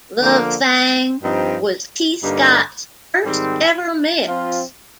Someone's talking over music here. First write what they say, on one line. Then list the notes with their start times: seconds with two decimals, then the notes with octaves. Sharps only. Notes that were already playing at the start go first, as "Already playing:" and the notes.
"Love Thang" was Tee Scott's first ever mix.
0.21 D3 F3 A#3
1.22 G2 F3 C4 D#4
2.23 G2 D3 G3 A#3 D#4
3.25 G#2 D#3 G3 C4
4.26 F3 C4 F4